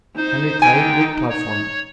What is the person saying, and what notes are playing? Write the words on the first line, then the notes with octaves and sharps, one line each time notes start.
Henry Clay, Whig platform.
D#4 C5
D3 G5 G#5
C#5